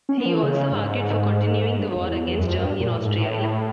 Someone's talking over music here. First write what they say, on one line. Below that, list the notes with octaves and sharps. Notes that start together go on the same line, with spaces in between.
He also argued for continuing the war against Germany and Austria.
C#4
B3
F3
E3
C#3
G2
G#2
G2
F2
E2
F#2
F2
F#2
G2
A#2
A2
G#2
A2